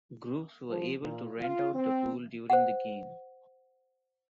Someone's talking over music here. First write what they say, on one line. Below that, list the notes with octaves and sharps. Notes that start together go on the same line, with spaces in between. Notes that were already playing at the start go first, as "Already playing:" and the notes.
Groups were able to rent out the pool during the game.
F3
A#2
F4
C4
C5 F#5